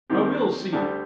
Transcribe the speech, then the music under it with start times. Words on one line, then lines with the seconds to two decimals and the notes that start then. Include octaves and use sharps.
I will see!
0.10 D#2 D#3 G3 C4 G4
0.72 D2 D3 G3 D4 G4